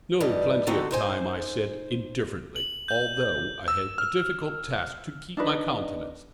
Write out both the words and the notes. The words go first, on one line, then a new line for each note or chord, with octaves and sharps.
"No, plenty of time," I said indifferently, although I had a difficult task to keep my countenance.
G2 E3 G3 D#4
D3 C4 D#4 F#4 A4
D#4 C5 G#5
F#7
G6
E6
F6
D4 D#4 B4